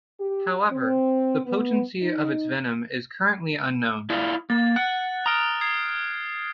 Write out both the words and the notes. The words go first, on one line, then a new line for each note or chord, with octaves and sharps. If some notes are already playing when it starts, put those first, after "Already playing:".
However, the potency of its venom is currently unknown.
G4
C4
B3
D#4
E4 F4 D5
A#3 A6
F#5 F#6
A#5 D#6 F6 D7
D#6 G#6 C7